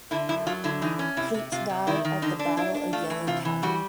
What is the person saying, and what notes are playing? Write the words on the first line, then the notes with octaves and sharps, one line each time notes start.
Pate died at the Battle of Yellow Tavern.
D3 E4
F#2 E4
F#3 F4
D3 E4
E3 D#4
C#4
C3 E4
C3
C3 F4
C3
D#3 E4
D#3
D3 D#4
D4
D4 E4
D4
A3 F4
E3
C3 F4
E3
G3 F#4